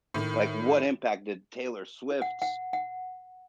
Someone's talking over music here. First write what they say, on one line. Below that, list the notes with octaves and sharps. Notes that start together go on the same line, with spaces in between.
Like, what impact did Taylor Swift's,
A2 D#3
F#5
F#5
F#5